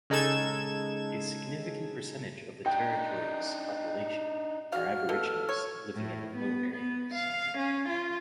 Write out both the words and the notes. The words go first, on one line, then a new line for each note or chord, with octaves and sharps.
A significant percentage of the Territory's population are Aboriginals living in remote areas.
C#3 G#3 D#4 A4 G#6 E7
D4 D#4 G5
F#4 F5 F6
B2 A4
C#5
A2
B3
B3
F5
C#4
F4